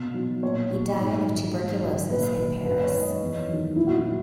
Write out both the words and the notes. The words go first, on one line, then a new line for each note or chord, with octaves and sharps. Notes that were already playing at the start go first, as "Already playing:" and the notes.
He died of tuberculosis in Paris.
Already playing: B2
F#3
A#2 C#5
F#3
G#2
D#3 F#3
G#2
F#3
A#2 B4
F#3
F#2 B4
C#5
D#3 G#3
D#5
E2
D#3 F#3
A#2 E4
F#4
E4
F#3